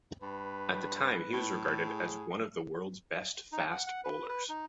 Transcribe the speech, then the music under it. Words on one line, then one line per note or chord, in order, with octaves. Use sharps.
At the time, he was regarded as one of the world's best fast bowlers.
G2 B4
A2
G#4
D#4
F#5
F#5
B4
B4
D#4